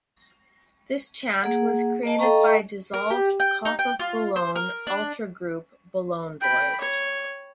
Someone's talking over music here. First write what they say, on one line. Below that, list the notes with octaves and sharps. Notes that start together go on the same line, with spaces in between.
This chant was created by dissolved Kop of Boulogne ultra group Boulogne Boys.
A#3 G#4 F#5
A#3 D#5 A5
A4 D#5 F5 G5 A#5 C#6
A#4
G4
G5
D#4
G5
F4
C5
A#4
D4
G5 B5
C#5